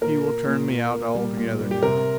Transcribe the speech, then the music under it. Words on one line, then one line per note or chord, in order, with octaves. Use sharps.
He will turn me out altogether now.
A#2 A#4
A#3
A#2
A#2
A#3
G3
A#2
G3
G4
C3 A#4